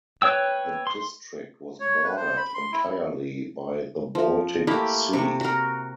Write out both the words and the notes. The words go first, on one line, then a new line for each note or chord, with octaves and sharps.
The district was bordered entirely by the Baltic Sea.
B4 C#5 G5 E6
C6
C#5
B4
C5
B5
C6
E4
F3
A3 A#3 E4 G4
C3 C#6
F#4 A#4